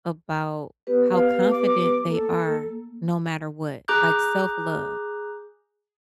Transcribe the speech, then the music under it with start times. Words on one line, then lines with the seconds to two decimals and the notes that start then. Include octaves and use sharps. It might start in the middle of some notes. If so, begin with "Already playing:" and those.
about how confident they are no matter what, like self-love.
0.87 B3 G4 B4
1.12 F5
1.51 D6
2.10 A#3 A4
3.88 G#4 A#5 D6 F#6 G6